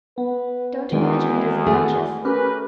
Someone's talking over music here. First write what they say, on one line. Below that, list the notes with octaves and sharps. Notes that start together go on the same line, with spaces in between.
Don't imagine it is a duchess.
B3 B4
E2 D#3 G#3 C4 F#4
A3 G#4
C#4 G4 A#4 B4